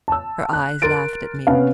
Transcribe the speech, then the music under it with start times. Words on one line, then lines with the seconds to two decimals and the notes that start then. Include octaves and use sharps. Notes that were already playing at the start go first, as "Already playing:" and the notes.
Her eyes laughed at me.
0.08 A5 E6
0.53 F#6
0.82 A#4 C6 A6 D7
1.47 C3 B3 C#4 F5